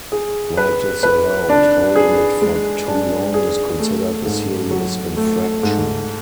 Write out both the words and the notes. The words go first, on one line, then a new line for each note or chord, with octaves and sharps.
Where it is allowed, holding it for too long is considered a serious infraction.
G#4
B4
B4
D4
G#4
G#3
D4
G#4
A3
G#2
F#3
A3
G#2